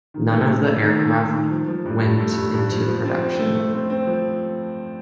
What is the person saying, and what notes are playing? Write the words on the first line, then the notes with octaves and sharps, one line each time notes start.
None of the aircraft went into production.
D#3
A3
A3
A3
D#3
A3
D#3
D#3
F3
F3
G2
G2
A3
G2
G2
F3
F3
C4
C4
A3
A3
C4
C4
F3